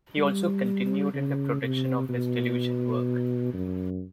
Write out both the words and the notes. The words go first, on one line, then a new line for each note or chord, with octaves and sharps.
He also continued in the production of his television work.
G3
C#3
C3
B2
F#2